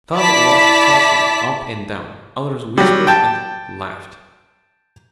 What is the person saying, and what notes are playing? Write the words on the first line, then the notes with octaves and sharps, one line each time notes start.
Some walked thoughtfully up and down, others whispered and laughed.
E4 D5 A5 B6
F#3 G3
G5 A5